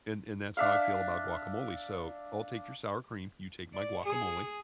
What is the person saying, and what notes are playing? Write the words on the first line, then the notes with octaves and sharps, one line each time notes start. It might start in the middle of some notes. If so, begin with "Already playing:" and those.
And and that's how I feel about guacamole. So, I'll take your sour cream, you take my guacamole,
D4 E5 F5
D5
G#4